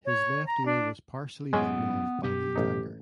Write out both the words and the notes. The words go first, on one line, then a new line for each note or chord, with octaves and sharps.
His left ear was partially bitten off by the attacker.
C#5
A#5
D4
F#2 A2 C3 G#3 B3 C#4 G#4
F#2 B2 B3 G4
A1 D#4